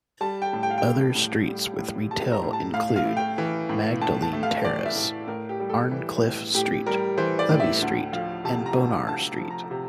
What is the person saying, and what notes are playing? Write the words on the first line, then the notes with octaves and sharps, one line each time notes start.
Other streets with retail include Magdalene Terrace, Arncliffe Street, Levey Street and Bonar Street.
G3 A5
G5
A2
G5
F5
G5
G3
A2
G3
A2
G3 A5
A#5
A2
A5
A2 F5
F5
A3
G5
E3
A2
A2 A5
A5
A3
F5
E3 D5
E5
A2
A2 A#4
G4
G3
A4
E3
A2
A2 G4
G3 A#4
E3 C5
D5
A2
E5
D2
F3 F5
C3 A5
A#5
D2
D2 A5
F3
A#5
C3